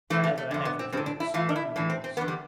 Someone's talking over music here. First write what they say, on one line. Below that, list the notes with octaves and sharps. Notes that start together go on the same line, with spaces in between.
For ever, ever, your's, only your's.
A2 E3 A3
A3
A3
F2 D3
B3
C4
G2 D3 C4
D4
E4
A2 E3 F4
D4
E4
A2 E3 D4
C4
C4
E2 D3 B3
G3